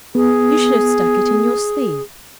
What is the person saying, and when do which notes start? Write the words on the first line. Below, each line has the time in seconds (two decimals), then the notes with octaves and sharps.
You should have stuck it in your sleeve.'
0.15 B3 G#4